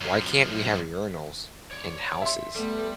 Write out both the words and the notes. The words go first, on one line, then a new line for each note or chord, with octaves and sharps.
"Why can't we have urinals in houses?"
F#2 F3
C#5 D5
E5 C6
G3 A3 B3 A4